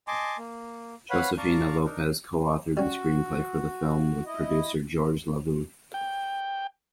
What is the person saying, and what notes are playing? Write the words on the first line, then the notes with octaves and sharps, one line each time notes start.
Josefina Lopez co-authored the screenplay for the film with producer George LaVoo.
D#5 G#5 A5 C6 D6
A#3
B4 C#5 F5 F#5 B5
D5 F5 A5 A#5 C#6
D4 D#4 A#4
G3 C#4 F#4
E4 D#5
G5